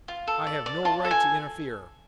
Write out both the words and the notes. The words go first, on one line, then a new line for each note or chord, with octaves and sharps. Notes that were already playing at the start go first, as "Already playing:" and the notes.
I have no right to interfere!
F4
A4
D5
D5
F4 A5
A4
G#5